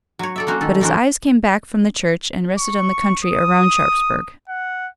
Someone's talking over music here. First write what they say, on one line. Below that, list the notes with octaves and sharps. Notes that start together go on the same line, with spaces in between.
But his eyes came back from the church and rested on the country around Sharpsburg.
F#3 C#5
A4 D5 E5
A#3 C#4 F#4 C5
D#3 A4
D#3 E3 D4 F#4 A#4 C5
C#6
D#6
F#5